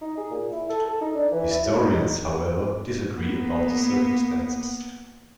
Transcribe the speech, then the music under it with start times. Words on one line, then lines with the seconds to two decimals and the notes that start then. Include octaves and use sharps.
Historians, however, disagree about the circumstances.
0.01 D#4
0.17 G#4
0.31 A#2
0.52 E4
0.69 A4
0.86 A4
1.01 D#4
1.15 D4
1.32 E3
1.51 E4
1.65 C#3
1.79 D#4
3.13 A#3 B3